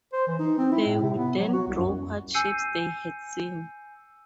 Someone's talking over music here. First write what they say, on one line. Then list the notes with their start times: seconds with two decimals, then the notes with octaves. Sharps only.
They would then draw what shapes they had seen.
0.13 C5
0.27 E3
0.39 D#4
0.58 C4
0.72 E4
0.86 A2
1.02 C3
1.17 B3
1.39 F#3
1.53 F#4
1.68 C2
1.79 F#2
2.34 G#5 E6 G6 C7 C#7 D#7